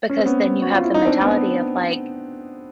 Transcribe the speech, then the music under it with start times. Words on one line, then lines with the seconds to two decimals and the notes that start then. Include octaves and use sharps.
because then you have the mentality of like,
0.09 C#4
0.18 C4
0.26 B3 C#4
0.62 F#4
0.73 F4
0.84 E4
0.94 D#4
1.05 C4 D4
1.22 B3